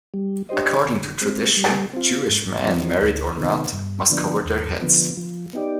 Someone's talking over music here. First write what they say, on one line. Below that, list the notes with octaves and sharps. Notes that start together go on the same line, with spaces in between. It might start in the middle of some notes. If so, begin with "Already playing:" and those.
According to tradition, Jewish men, married or not, must cover their heads.
G3
D4 G4 C5 D#5
D3
G#3 C4
G3
C4 F4
G#2
F3 C4
D2
C3 D#3 B3
G2
D3 F3 B3 D4
D#2
D3 F3 B3
F3
B3 D#4 G4 D5